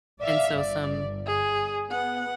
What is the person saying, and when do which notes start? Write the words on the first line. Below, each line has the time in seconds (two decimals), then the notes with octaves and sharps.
And so some
0.21 D5 E5 F5
0.57 G1 D5
1.26 G#4
1.90 B3 F#5